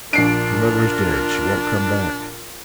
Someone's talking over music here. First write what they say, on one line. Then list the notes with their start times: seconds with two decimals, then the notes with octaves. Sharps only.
"Your mother is dead; she won't come back."
0.13 A#1 D4 F4 A#4 C7 D7